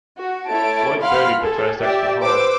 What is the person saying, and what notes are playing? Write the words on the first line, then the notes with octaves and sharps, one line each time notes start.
Floyd birdied the first extra hole.
F#4
A3 E4 A4 C#5 A5 D7
F5 F#5 B5 C6 F6
G#4 A4
G4 D5 E5
B4 C5 D6 E6